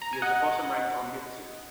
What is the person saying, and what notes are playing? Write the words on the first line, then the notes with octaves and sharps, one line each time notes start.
He is a bottom-ranked onmitsu.
A#5
G#5
D#5 F#5